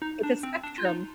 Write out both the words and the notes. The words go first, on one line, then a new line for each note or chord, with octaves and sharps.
It's a spectrum.
D#4
D4
C4
D4
F4
D#4